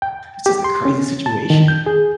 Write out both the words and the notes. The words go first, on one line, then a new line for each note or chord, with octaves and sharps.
it's just a crazy situation.
G5
G4
C6
C#4
A5
D#3
G6
G#4